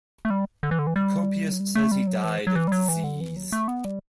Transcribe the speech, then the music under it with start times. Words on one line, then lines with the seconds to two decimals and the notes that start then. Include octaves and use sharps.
Procopius says he died of disease.
0.25 A3
0.30 G3
0.63 D3
0.71 E3
0.79 D3
0.87 E3
0.96 G3
1.51 F#3
1.60 G3
1.75 A3
1.91 G3
2.07 F#3
2.24 E3
2.47 F#3
2.56 E3
2.68 G3
2.72 F#3
2.88 E3
3.04 D3
3.20 E3
3.37 F#3
3.52 A3
3.68 B3
3.85 G3